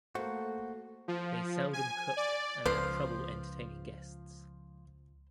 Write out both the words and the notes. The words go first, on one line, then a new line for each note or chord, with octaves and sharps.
They seldom cook, and have trouble entertaining guests.
A3 A#3 F#4 C5
F3
G#5
D5
C#2 F3 B4 C5 C6